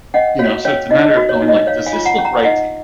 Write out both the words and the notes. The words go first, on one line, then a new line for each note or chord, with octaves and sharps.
You know, so it's a matter of going like, "Does this look right to you?"
C#4 D#5 F#5
F#4 C#5 F5
C#4 C#5 F5
D#4 D#5
D#5
F#4
C#5
D#4
D#5
C#5 F5
F5 G#5
F4
F#5 A#5
C#4
F#5 A#5
D#4 D#5 F#5